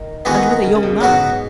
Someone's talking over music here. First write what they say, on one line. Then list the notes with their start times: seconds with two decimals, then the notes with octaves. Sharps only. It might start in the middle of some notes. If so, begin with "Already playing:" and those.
'And with a young man?'
Already playing: D#3
0.25 D#3 E3 G#3 B3 F#4
0.64 C#3
0.75 C#3
0.83 B2
1.01 G#2 F#3 B3 F#4